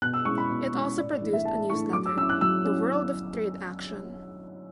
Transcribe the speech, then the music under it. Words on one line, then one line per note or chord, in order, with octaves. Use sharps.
It also produced a newsletter, "The World of Trade Action".
B2 F#6
E6
G#3 C#4 E4 C#6
B5
B2
G#3 C#4 E4
A2 D5
D5
E3 A3 D4
E5
A2 A5
E3 A3 D4 C#6
F#3 D6
E6
C#4 E4 E6
F#6
F#3 E6
C#4 E4